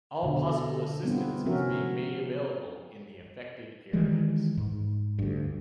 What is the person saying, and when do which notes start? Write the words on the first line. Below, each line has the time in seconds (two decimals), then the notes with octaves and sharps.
All possible assistance is being made available in the affected areas.
0.23 B2 D3 F#3
0.43 A4 D#5
1.05 G3 B3 C4 D4 E4 F4
1.45 C3 F3 C#4 F#4 A#4 E5
3.93 D#3 E3 G3 G#3
4.57 G#2
5.19 D2 G2